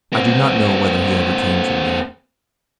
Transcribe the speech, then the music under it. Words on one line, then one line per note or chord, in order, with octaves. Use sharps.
I do not know whether he ever came from there.
A#3 C4